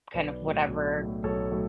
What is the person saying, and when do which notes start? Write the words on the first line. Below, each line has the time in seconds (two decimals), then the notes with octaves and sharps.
kind of whatever
0.14 B1 B4 D5
0.42 A2 F#3
0.69 B1
0.97 A2 F#3
1.24 B1 A4 C#5
1.51 A2 F#3